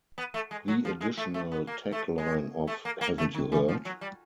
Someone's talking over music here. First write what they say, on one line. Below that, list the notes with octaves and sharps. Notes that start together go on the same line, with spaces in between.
The additional tagline of Haven't you heard?
B3
A3
G#3
F#3
F3
G#3
A3
A3
B3
A#3
A3
G#3
A3
A#3
A#3
A3
D#3
E3
F3
F#3
G3